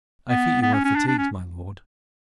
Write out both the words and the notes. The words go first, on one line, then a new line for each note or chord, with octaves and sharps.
'I fear you are fatigued, my lord.
B3
B3
C#4
C#4
D4
D4
C#4